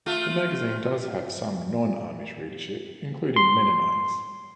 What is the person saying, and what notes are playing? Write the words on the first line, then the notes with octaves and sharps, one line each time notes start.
The magazine does have some non-Amish readership, including Mennonites.
A3 F4
C6